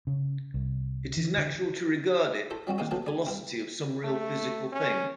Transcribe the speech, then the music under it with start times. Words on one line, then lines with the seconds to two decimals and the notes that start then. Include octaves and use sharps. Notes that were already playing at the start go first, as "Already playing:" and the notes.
It is natural to regard it as the velocity of some real physical thing.
0.07 C#3
0.54 C2
1.17 E3
1.38 D3
2.51 E4 A4 C5
2.67 F#3 G3 C4 F#4
2.78 D#3 A#3 C4 D#4 G#4
2.91 C3 F3 F#3 A3 B3
3.06 D5 G#5
3.27 C2 C4
4.04 A3
4.73 C#4